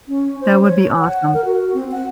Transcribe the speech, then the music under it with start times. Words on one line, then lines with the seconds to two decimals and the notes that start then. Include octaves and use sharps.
That would be awesome.
0.08 C#4
0.41 C5
0.62 C#5
0.99 F#5
1.34 A#4
1.45 F#4
1.74 C4
1.91 F#5